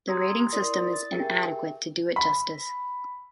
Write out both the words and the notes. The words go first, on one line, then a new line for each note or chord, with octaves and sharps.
The rating system is inadequate to do it justice.
G4 A#5 C6 D#6 E6 G#6
C6
E4 A#4 D5 C6 D#6
A6
G4 G#4 A#4 E5 G5
B5